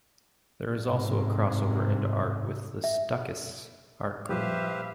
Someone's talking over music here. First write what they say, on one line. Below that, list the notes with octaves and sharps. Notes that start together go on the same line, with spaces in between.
There is also a crossover into art with the Stuckists art group.
G#2 C3
E5
A#2 F3 G3 G4 B4 C5 E5 F5